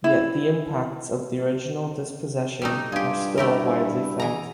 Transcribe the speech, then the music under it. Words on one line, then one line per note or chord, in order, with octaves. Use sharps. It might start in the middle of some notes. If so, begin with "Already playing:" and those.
Yet the impacts of the original dispossession are still widely felt.
E4
G3 A3 D#4
G2 F4 G4 G#4
A3 E4 G4 A#4
E3 G#4 A#5